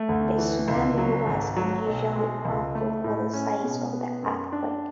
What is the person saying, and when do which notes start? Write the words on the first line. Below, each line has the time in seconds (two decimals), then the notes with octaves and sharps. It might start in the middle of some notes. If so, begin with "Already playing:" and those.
The tsunami was unusually powerful for the size of the earthquake.
Already playing: A3
0.09 D2
0.38 E3
0.68 C#2
0.98 F#3
1.26 G#1
1.56 F#3
1.86 B1
2.16 G#3
2.45 C#2
2.75 A3
3.04 A2
3.33 C#4
3.63 B2
3.93 B3
4.23 F#2
4.52 D4